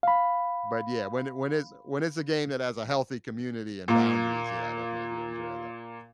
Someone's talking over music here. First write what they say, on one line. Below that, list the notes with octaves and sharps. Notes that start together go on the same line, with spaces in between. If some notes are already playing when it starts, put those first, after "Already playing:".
But, yeah, when it when it when it's a game that has a healthy community and boundaries, yeah, I definitely do enjoy that.
F5 B5
A#2 A#3